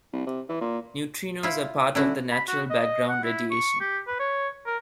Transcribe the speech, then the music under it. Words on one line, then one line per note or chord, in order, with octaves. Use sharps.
Neutrinos are part of the natural background radiation.
C2
C3
E3
A#2
E4 F4
D3 C#4 E4 F#4
B5
F#4
D#5
F#5
E4
C#6
G4
B4
C#5
A#4